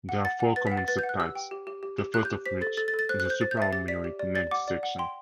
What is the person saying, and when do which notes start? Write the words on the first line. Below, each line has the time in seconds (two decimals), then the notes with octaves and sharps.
There are four common subtypes, the first of which is the supraomohyoid neck dissection.
0.09 F#5
0.25 F#5 A6
0.40 F#5
0.56 B4 A6
0.67 B6
0.72 F#5
0.77 A6
0.88 B4 A6
0.99 G6
1.03 F#5
1.09 F#6
1.19 G4 E6
1.35 G5
1.51 G4
1.67 G4
1.83 G4
1.99 G4
2.14 G4 F#6
2.25 G6
2.30 G4
2.46 C5 B6
2.61 A4 A6
2.77 A4 A6
2.88 A6
2.94 A4
2.99 A6
3.09 C5 F#6
3.20 F#6
3.25 C5 G6
3.41 C5 A6
3.51 G6
3.57 E5 A6
3.73 G4 A6
3.88 D5 B6
4.04 G4
4.19 D5
4.35 D5 A6
4.51 F#5 D6
4.68 D5
4.83 F#5
4.99 G5 C6